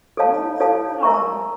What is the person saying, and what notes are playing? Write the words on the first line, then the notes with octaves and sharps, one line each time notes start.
Oh, wow.
A4 C#5 F5 A5
A4 C#5 F5 A5
A#4 E5 A#5 C#6